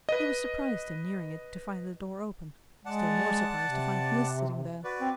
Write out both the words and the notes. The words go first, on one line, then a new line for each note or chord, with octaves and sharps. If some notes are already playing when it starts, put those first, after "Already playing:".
He was surprised in nearing it to find the door open--still more surprised to find Mliss sitting there.
B4 D#5
G#3 D5 F#5 A5
C3
F#4 B4 D5
C4